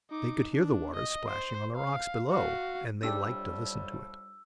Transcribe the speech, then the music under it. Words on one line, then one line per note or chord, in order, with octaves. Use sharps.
They could hear the water splashing on the rocks below, and they liked to listen to it.
D#4 D6
D4
D#5
C5
F5
F#4 F5
A2 F3 G3 D4 G4 E6